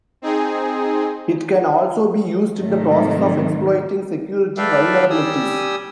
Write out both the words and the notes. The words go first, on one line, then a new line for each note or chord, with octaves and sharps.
It can also be used in the process of exploiting security vulnerabilities.
C4 D#4 G#4
G#2 C3 D#3 F#3 A3
A4 B4 D5 E5 F5 G5
G3 G4 G#5 D#6 E6